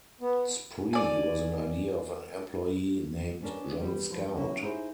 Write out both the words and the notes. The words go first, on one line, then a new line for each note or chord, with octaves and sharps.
Spree was an idea of an employee named John Scout.
B3
D5 G#5
B3 C#4 D4 A#4
G3 B4
E2 G2 F3 B4
F#3 A#3 C#4 E4
D#4 E4 G#4 C5